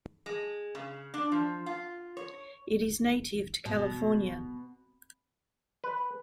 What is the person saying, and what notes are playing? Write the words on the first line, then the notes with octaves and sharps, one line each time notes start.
It is native to California.
G#3
C#3
D4
F3
F4
C#5
B2
B4